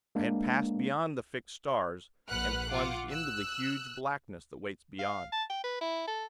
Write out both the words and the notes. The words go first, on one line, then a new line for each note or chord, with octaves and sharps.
I had passed beyond the fixed stars and plunged into the huge blackness that waits beyond.
G#3 A#3 D4
A#1 B4 F#5 F6 F#6
F4 F#5 D6
E6 F#6
F5
A5
G5
B4
E4
A4